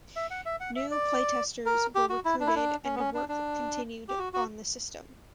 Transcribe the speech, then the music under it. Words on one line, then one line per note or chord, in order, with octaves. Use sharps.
New playtesters were recruited and work continued on the system.
E5
F#5
E5
F#5
E5
D5
A#4
G4
F#4
E4
D4
E4
D4
C#4
B3
C#4
D4
D4
G4
F#4
F#4